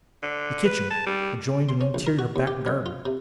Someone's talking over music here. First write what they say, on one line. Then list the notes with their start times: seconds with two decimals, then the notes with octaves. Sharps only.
The kitchen adjoined an interior back-garden.
0.22 D3
0.65 B4
0.91 A5
1.06 G3
1.69 C6
1.81 C#4
1.94 A#1
2.07 A#4
2.19 F#4
2.36 D#2
2.47 G4
2.66 F#2
2.86 F4
3.05 C3